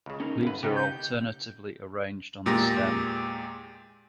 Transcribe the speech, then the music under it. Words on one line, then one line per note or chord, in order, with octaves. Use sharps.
Leaves are alternately arranged on the stem.
C#2 C#3
C#4 D#4 A#4
G1 B4
C#3 B3 D#4 G4
G6
E2 A#2 G#3 G4 A#5 A#6